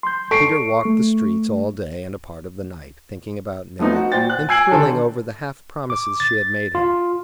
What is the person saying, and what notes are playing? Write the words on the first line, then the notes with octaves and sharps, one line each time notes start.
Peter walked the streets all day and a part of the night, thinking about Nell, and thrilling over the half promises she had made him.
C6 G6
A4 C#6 C7 D7
A3
F3 A3 B3 C4 D#4 F#4
F#4
A#2 F#4 C5 G5 A6
F#6
G#5 E6 G#6 C7 D7 F#7
D3 D#3 C#4 G4 A4
D6
A6
F4